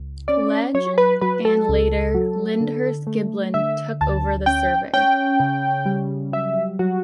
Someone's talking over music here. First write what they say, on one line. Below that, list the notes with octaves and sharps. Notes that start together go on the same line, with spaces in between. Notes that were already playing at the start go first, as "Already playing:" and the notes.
Legge and, later, Lyndhurst Giblin took over the survey.
Already playing: C#2
C#4 D5
F#3 C#5
B4
F#3 B4
A4
C#2
F#3
D3
A3
D3 E5
D2 A5
C#4 G5
C#4 G5
C#3
G3
F#3 E5
F#3 F#4